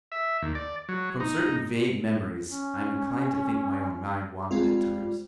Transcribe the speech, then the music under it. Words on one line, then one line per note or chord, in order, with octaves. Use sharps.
From certain vague memories I am inclined to think my own mind wandered at times.
E5
D#2
D5
F#3
D#4
C#4
G3 G#3 C4 F4